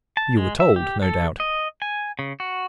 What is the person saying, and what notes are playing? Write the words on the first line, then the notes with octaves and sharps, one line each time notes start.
"You were told, no doubt."
A5
G#3
E5
G4
A4
D#5
G#5
C#3
F#4